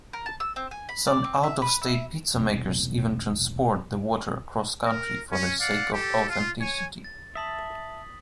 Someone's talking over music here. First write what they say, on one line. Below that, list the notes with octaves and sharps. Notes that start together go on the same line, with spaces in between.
Some out-of-state pizza makers even transport the water cross-country for the sake of authenticity.
A#4
A5
E6
C4
G#5
B5
D5
C4
E5
B4
E5
E1 B1 A2 C3
A#4
C#4
D5 F5 F#5
G4 A4
F4
C#5 G#5
A6
E5 A5 D#6 B6 F#7